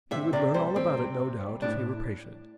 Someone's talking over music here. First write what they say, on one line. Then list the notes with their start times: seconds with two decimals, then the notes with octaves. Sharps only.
He would learn all about it, no doubt, if he were patient.
0.11 C3 E5
0.33 C3 D5
0.54 G3 C5
0.76 G3 C4
0.97 C3
1.19 C3
1.40 G3
1.62 A2 D4